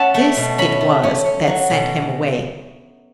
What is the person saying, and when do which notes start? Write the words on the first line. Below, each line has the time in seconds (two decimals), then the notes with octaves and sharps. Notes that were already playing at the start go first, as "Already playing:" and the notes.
This it was that "sent him away."
Already playing: C#4 C#5 E5 F#5 A5
0.14 A3
0.37 B2
0.58 C#4 B5
0.81 A3
1.03 C#4
1.26 C#4
1.47 F#3
1.70 B2